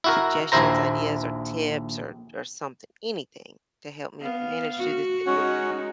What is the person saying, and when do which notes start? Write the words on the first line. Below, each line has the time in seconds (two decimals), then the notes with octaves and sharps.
suggestions, ideas, or tips, or or something, anything to help me to manage through this situ
0.04 E4 F#4 A#4
0.52 A#1 D#2 E4 C5 A#5
4.21 B3 F5
4.78 F#4
5.26 G#3 C#4 D#4 C#5 F#5